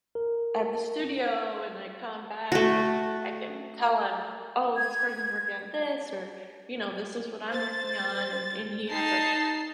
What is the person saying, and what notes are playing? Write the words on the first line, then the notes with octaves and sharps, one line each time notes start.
at the studio and I come back and then I can tell him, "Oh, this person's working on this," or, you know, "This is what I'm working on," and and he has an
A#4
A3 F#4
G#6
C5 A6
D#4 A5 C7